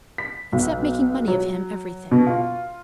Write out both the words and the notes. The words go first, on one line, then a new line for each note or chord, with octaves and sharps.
"Except making money of him--everything?"
B6
B1
F#3
B2
F4